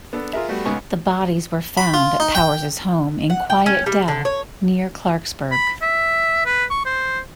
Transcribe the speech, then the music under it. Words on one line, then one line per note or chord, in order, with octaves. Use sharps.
The bodies were found at Powers's home in Quiet Dell, near Clarksburg.
B3 D4 A4
F4 G#4 A#4 E5
G3 A3 B3 F#4
C#2 B3 D#4 G#5 C#6
B5
F4
D#4
G5
F#5
G5
C#4
G3
D3
C#5
B5
E5
B4
C#6
C5